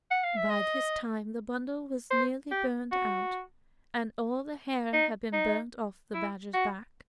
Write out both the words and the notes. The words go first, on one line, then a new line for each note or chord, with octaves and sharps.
By this time the bundle was nearly burned out and all the hair had been burned off the badger's back.
F#5
F5
E5
D#5
C5
G4
F#4
D#4
D#4
E4
F#4